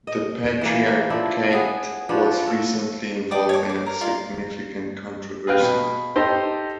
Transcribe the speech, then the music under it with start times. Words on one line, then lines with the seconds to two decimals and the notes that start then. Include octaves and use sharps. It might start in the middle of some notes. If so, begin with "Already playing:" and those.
The patriarchate was recently involved in a significant controversy.
0.07 D#5
0.61 E3 A#3
1.10 F3 D4 E4
1.53 B3 G#4
2.09 F3 D4 B4 C#5
2.43 A4 C#5
3.31 D5 G5 D6 D#6
3.49 C#5 D6
3.69 D6
3.86 A#4
4.01 F4 D5
5.47 G#4 B4 F5 G5
5.60 B2
6.16 D#4 G4 A4 C5